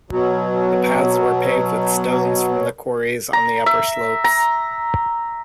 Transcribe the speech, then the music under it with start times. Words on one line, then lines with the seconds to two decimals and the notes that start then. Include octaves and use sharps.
The paths were paved with stones from the quarries on the upper slopes.
0.10 B2 F#3
3.33 A#5
3.66 E5
4.24 A#5